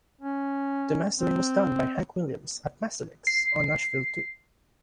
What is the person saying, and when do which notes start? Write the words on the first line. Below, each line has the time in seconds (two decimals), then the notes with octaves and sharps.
The mastering was done by Hank Williams at MasterMix, on Nashville too.
0.21 C#4
1.19 C4
3.27 C7